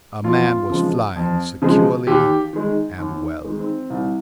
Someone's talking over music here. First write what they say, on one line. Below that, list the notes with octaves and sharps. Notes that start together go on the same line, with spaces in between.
A man was flying securely and well.
F2 F4
C#3 F3 G#3
F2
C#3 F3 G#3
D#2 G4
D#3 G#3
D#2
D#3 G#3
C4
C2